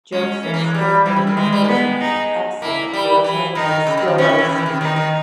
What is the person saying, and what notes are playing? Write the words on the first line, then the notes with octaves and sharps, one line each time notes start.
Joseph Stannard was an excellent oarsman and a skilled ice-skater.
G#3 C#4
E3 C#4
A#3
G#3
G3
E3 G3
C#3
D#3
E3 G#3
G3
A#3
G#3 B3
D#4
A#3 E4
G3
E3
D#3 D#4
C#3
D#3
D#3
B2 C#4
C#3
E3
D#3
E3
D#3
D#3 D#4
D#3